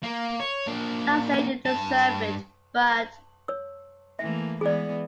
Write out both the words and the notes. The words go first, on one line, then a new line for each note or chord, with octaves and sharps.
Not saying you deserve it, but...
A#3
C#5
A#3 D4
G2 A5
C#5 E6
E3 A3 A#3 E5
E3 G#3 B3 G#4 D5